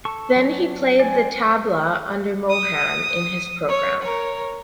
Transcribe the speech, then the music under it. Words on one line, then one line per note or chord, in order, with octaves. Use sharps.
Then he played the tabla under Mohan in his program.
A4 C#6
F#3 C#4 D4
C4 D5 G#5
D#6
C#5
A#4 C#5